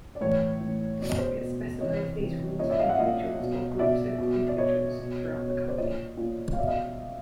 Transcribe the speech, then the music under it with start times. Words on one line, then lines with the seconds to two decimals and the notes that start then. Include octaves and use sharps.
It specifies these rules for individuals or groups of individuals throughout the company.
0.15 D5
0.21 A2 E3 C#5
0.61 A2 E3
1.00 B2 D5
1.09 D#5
1.18 C5 D5
1.40 B2
1.80 C3 E3 C#5 D#5
2.19 C3 E3
2.59 A#2 C#5 D#5
2.70 D5 E5
2.79 D#5 F5
2.89 E5 F#5
2.99 A#2 D#5 F5
3.39 B2
3.79 B2 D5 E5
4.19 B2
4.48 D5
4.58 B2 C#5 D#5
4.99 B2
5.38 B2
5.48 C#5
5.58 C#5
5.68 C5 D5
5.78 A#2 C#5 D#5
6.17 A#2
6.53 F5
6.57 B2 D5 E5
6.67 D#5 F5